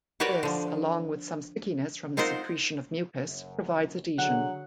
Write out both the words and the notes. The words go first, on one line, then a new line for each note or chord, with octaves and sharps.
This, along with some stickiness from the secretion of mucus, provides adhesion.
F#4 G4 A#4 B4 C#5 D5
D3 F3
C4 D#4 F4 A#4 C5 F#5
F#1 F#2
D3 F#3 G#3 F#5